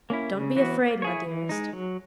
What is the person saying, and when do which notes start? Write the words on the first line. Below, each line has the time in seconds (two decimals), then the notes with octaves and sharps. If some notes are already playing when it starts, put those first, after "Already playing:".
Don't be afraid, my dearest.
0.10 A#3 C#4 E4
0.33 C#3
0.56 E3 B3 F#4 B4
0.80 A#3
1.02 E4 G#4 C#5
1.26 E3
1.49 G#3 D#4
1.73 F#3